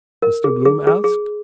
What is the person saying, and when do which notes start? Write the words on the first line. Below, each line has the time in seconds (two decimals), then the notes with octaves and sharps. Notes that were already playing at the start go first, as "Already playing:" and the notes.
Mr Bloom asked.
0.22 A#4
0.44 G#4
0.65 G#4
0.87 G#4
1.04 G#4